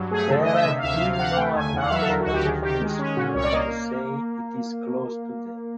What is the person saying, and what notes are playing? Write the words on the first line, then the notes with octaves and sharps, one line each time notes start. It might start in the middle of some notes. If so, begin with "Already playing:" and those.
There have been no announcements from the school to say it is closed today.
Already playing: G2 F#3
A3 G#4
D3 A4
D#5
D3
E5
C3 E5
F5
D2 E5
C3 F5
F5
C3 F#5
A3 G5
D#2 G#5
E2 F#5
F5
F#3 E5
A4
D3 A#4
F#4
D2
G4
D#3 G#4
D#3 G4
G#3
C#4
A#2 F#4
C2 C#5
D5
A#3 D#5